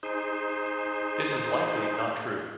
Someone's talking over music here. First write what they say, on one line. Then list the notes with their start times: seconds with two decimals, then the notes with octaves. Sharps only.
This is likely not true.
0.03 D#4 G#4 C5